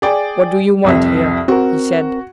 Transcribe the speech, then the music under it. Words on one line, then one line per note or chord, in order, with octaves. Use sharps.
"What do you want here?" he said.
G#4 D5 G5
C2 F2 E5
C4 F#4 A#4